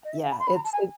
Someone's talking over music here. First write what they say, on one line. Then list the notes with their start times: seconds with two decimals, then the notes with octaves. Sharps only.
Yeah, it's it
0.05 D#5
0.13 E5
0.22 F5
0.31 B5
0.39 C6
0.47 B5
0.56 A#5
0.64 A5
0.73 G#5